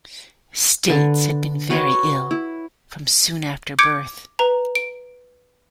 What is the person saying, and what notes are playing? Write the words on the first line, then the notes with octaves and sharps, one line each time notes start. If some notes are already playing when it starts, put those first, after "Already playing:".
States had been very ill from soon after birth.
D3 B4
F#4 B4 C#5 C6
E4
D6 G6 G#6 C#7 D7
B4 A#5
D7